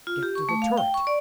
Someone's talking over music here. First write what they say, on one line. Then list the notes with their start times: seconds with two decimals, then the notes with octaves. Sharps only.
Get to the turret!
0.07 F4
0.23 G4
0.35 C#6
0.49 A3
0.62 F5
0.78 G5
0.94 C#6
1.07 D5